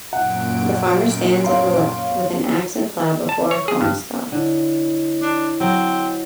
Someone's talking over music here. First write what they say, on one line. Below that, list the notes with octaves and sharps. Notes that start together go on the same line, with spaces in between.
The farmer stands on the left with an ax and plow before a cornstalk.
F#2 A#2 F#5 D7
C#5 F5 C6
A5
C#5
G#4
G2
D3 E4 C#5 D#5
D4
F#3 C4